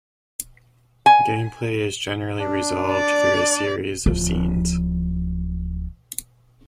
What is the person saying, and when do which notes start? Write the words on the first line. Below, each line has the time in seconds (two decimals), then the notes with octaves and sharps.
Gameplay is generally resolved through a series of "scenes".
1.06 G#5
2.39 D4
2.92 D5
4.06 D1 F3